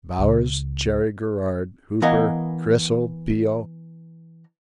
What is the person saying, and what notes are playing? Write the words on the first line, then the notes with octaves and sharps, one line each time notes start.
Bowers, Cherry-Garrard, Hooper, Clissold, P.O.
C#2
E3 B3 A#4 D#5 F5 G#5